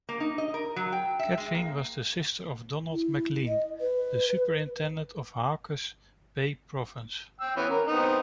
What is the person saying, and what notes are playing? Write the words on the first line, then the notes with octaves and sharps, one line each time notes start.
Catherine was the sister of Donald McLean, the Superintendent of Hawke's Bay Province.
A#3
D#4
D#5
A#4
F#3
G5
E5
G#3
A#3
E4
D#5
B4
G5 E6
E3 B3 C#4
A#4
B3 C4 D#4